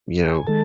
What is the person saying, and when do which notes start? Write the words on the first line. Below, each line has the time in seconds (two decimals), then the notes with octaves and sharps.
you know
0.24 G5
0.36 G#5
0.47 D#3 G#3 A4 A5